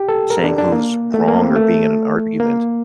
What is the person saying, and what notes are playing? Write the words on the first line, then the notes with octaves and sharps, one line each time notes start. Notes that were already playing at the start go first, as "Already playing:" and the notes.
saying who's wrong or being in an argument.
Already playing: G4
A4
A#4
D4
D4
A#3
A3
A#3
C4
A3
A#3